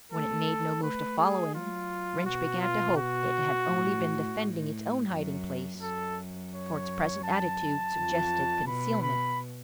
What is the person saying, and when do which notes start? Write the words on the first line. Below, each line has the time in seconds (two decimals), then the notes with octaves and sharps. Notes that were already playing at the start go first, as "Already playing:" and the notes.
When it made no move to follow him Rynch began to hope it had only been defending its own hiding place, for its present attitude suggested concealment.
0.12 A3 A4
0.83 A3 B4
1.19 G#4
1.54 F#3 F4
2.25 B2 F#4
2.61 F4
2.97 F#4
3.68 A2
4.39 A2
5.11 F#2
5.82 F#2 A4
6.53 C#5
7.24 A5
7.95 F2
8.67 B2 B5
9.02 B5